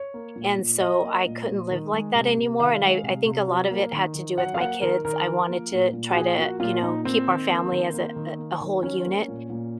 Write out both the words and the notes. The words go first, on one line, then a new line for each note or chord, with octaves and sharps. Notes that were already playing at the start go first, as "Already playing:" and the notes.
and so, I couldn't live like that anymore, and I I think a lot of it had to do with my kids. I wanted to try to, you know, keep our family as a a a whole unit,
Already playing: C#5
A#3
A#2
A#2
F#3 D#5
A#3
A#2
A#2
D#3
G#3
C3
C3
D#3 F5
G#3
C3
C3
F#3
A#3
D#3
D#3
F#3 F#5
F5
A#3 F#5
D#3 A#4
D#3 A#4
F3
A#3
A#2
A#2
F#4
F3 G#4
A#3 F#4
A#2 F4
A#2 D#4
A#3 C4
D#3
A#3
D#3
A#3
D#3
A#3
D#3
F#3 C#4
A#3
A#2
A#2